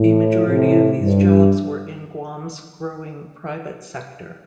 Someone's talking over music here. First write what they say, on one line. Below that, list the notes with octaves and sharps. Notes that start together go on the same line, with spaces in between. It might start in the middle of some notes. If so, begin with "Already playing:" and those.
A majority of these jobs were in Guam's growing private sector.
Already playing: A2
A2 C3
G2